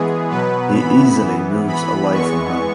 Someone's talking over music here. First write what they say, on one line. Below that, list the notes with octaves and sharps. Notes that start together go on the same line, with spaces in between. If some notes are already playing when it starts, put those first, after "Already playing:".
He easily moves away from her.
Already playing: E3 G#3 B3 G#4
B2 F#3 B3 B4
E3 B3 B5
E3 B3
E3 B3 B5
E3 G#3 B3 C#6